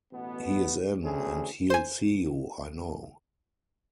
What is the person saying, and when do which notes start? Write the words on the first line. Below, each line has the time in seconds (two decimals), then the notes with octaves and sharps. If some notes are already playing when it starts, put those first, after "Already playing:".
He is in, and he’ll see you, I know.
0.12 A1 B2 B3
1.04 D2 C#4 G#4
1.70 C5 G#5